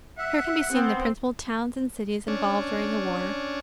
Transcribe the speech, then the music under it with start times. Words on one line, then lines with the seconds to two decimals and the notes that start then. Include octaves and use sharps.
Here can be seen the principal towns and cities involved during the war.
0.18 E5 F#5
0.72 B3 C4
2.28 C#4 D4